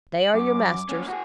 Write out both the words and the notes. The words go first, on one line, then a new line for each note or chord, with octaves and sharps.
They are your masters.
F#7
F#2 D6
A#3 C#4
F#4 G#4